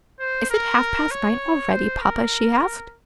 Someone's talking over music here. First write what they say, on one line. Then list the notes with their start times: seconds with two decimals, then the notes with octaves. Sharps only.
"Is it half-past nine already, papa?" she asked.
0.20 C5
0.50 A#4
1.11 C#5
1.71 C5
2.01 A#4